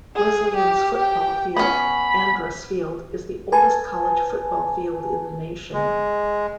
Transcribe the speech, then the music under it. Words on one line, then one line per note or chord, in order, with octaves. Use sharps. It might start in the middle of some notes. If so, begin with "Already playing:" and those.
Wesleyan's football field, Andrus Field, is the oldest college football field in the nation.
G#4
G4
G4 G5
B3 C#4 B5
B4 G#5 A5
G#3